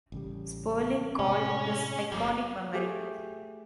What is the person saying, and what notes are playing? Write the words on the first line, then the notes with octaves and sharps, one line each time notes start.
Sperling called this iconic memory.
A1 C#3 G3
A2 C3 G#3 C#4
G1 F#3 G3 A3 A#3
A3 G4 G#4